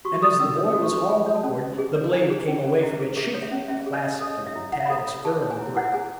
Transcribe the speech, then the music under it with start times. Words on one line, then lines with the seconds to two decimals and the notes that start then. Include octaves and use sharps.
And, as the boy was hauled upward, the blade came away from its sheath, clasped in Tad's firm grip.
0.05 F#4 C#6
0.22 A4 D#6
0.40 C#4 E6
0.57 C#5 D#6
0.74 F#4
0.83 C#6
0.92 A4
1.09 G#4 B5
1.26 C#5
1.35 A5
1.43 C#4
1.61 C#4
1.78 G#4
1.96 C#5
2.13 E4 G#5
2.30 G#4
2.47 C#4
2.65 C#4
2.82 E4
2.99 G#4
3.17 G#4 E5
3.34 C#5
3.42 E5
3.51 C#4
3.68 C#4 E5
3.86 G#4
3.95 D#5
4.03 C#5
4.21 A4 D#5
4.38 C#5
4.47 E5
4.56 E4
4.72 E4 F#5
4.86 B5
4.90 A4
4.98 B5
5.08 C#5
5.24 G#4 A5
5.42 C#5
5.51 G#5
5.59 E4
5.76 E4 F#5
5.94 G#4 G#5